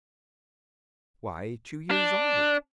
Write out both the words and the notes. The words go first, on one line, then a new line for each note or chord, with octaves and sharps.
"Why, two years old."
D4